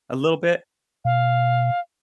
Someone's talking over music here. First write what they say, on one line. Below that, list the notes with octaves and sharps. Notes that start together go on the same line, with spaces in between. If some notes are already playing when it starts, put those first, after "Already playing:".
a little bit?
B2 F5